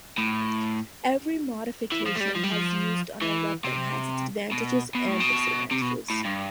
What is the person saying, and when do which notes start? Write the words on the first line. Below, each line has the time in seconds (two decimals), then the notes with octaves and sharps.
Every modification has used on a weapon has its advantages and disadvantages.
0.18 A2
1.92 E3
2.06 F3
2.16 A3
2.20 G3
2.35 F3
2.43 G3
2.52 F3
3.21 E3
3.65 C3
4.52 B2
4.95 B2
5.08 A2
5.21 B2
5.71 C3
5.82 B2
6.10 A2
6.25 G2